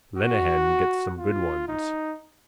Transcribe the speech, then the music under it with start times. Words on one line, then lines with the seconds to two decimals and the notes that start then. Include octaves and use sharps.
Lenehan gets some good ones.
0.17 F#4
1.18 F4
1.68 D#4